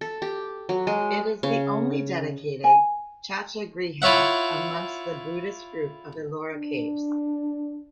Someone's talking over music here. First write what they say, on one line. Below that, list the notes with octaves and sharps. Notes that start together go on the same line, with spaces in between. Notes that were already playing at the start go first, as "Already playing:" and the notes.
It is the only dedicated chaitya griha amongst the Buddhist group of Ellora caves.
A4
G4
F#3
G#3
C#3
G#5
E4 F4 C#5 E5 F#5
D4